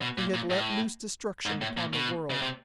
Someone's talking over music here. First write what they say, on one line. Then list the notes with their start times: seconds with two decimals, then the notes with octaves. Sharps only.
He had let loose destruction upon the world.
0.02 B2
0.18 A#2
0.34 A#2
0.50 A2
1.46 G#2
1.61 A2
1.77 A#2
1.93 B2
2.31 C#3
2.41 C3